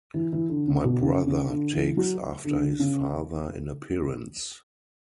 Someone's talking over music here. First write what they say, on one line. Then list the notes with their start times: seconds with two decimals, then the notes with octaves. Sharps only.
My brother takes after his father in appearance.
0.14 E3
0.32 E3
0.49 D3
0.67 C#3
0.84 B2
1.02 C#3
1.26 C#3
1.50 D3
1.73 E3
1.97 F#3
2.44 D3
2.79 C#3